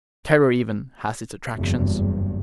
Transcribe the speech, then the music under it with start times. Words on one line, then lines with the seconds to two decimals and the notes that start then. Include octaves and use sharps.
Terror even has its attractions.
1.56 F#1 E2 G2